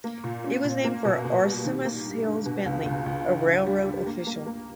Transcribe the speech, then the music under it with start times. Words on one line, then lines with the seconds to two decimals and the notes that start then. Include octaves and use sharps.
It was named for Orsemus Hills Bentley, a railroad official.
0.04 A#3
0.24 A#2
0.44 C#4
0.64 A#2
0.84 A#3
1.05 B2
1.25 B2
1.45 G3
1.65 D#3
1.85 A#3
2.05 G2
2.26 G2
2.46 B2
2.65 C#2
2.85 C#2
3.06 C#2
3.26 G2
3.46 G2
3.66 G3
3.86 G2
4.06 A#3
4.27 A#3
4.46 A#3